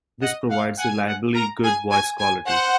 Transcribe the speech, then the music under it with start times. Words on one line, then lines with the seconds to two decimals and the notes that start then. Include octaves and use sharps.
This provides reliably good voice quality.
0.22 D#5 F#5
0.50 F5 F#5
0.79 F#5 G#5
1.07 F#5
1.35 A#4 A#5
1.64 G#4 G#5
1.91 F#4 G#5
2.20 G#5
2.47 C5 F#5